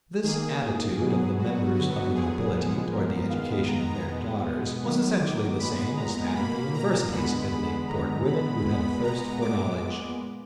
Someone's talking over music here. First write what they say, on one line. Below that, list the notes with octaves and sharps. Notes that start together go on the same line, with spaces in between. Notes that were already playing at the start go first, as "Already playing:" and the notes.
This attitude of the members of the nobility toward the education of their daughters was essentially the same as that of the universities of Italy toward women who had a thirst for knowledge.
D#3 A#3 G#4
B2 F#3 B3
F#4
D3 F#3 B3
G#4
A#2 F3 G#3 B3
A#4
D#3 G#3 B3 F5
A#5
B2 G#3 B3
D#3 F#3 B3
D6
A#2 G#3 B3 B5
A#5
B2 A#3 B5
A#5
D3 G#3 B3 B5
B5
D3 G#3 B3 A#5
B5
A#2 G#3 B3 B5
A#5
A#2 G#3 B3 D6